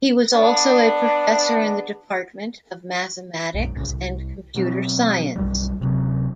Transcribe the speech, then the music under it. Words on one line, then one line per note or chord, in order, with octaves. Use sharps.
He was also a professor in the department of mathematics and computer science.
B3 D4
B1 F#2
B1 A2 C#3
C2
B2 F#3 B3 C4
B1 F#2 G3
D1 C3 F#3 C4